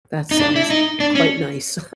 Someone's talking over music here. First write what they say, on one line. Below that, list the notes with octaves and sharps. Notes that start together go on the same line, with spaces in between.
That sounds quite nice.
D#4
D4
E4
D#4
D4
C#4